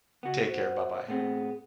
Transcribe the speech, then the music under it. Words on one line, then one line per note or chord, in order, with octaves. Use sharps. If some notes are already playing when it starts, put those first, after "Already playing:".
Take care, bye-bye.
C#3 B3 F#4
C5
A2 B3 C4 G#4